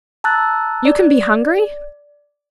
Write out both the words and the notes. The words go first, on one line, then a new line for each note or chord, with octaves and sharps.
"You can be hungry?"
A5 A#5 E6 F#6 A6
D5